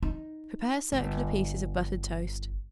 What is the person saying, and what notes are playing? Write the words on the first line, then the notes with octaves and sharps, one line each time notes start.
Prepare circular pieces of buttered toast.
D#4
G1